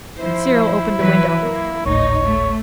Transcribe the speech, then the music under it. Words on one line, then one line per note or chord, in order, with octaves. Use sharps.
Cyril opened the window.
F3 E4 C5
E3 F#3 B4
A#3 A#4
G#1 D2 A2 D#4 C#5
A3